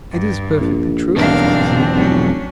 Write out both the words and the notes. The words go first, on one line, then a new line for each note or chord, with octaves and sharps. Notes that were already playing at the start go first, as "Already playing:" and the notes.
"It is perfectly true," thought he.
G2
A#1
B1 E2 G2 C4 D4 A#4 F5
F1 F#3 C#4